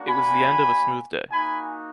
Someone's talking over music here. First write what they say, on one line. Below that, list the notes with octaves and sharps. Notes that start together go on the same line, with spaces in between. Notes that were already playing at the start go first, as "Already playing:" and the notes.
It was the end of a smooth day.
Already playing: A#3 D4 F#4
G#5 B5
A#3 D#4 F#4 G#5 B5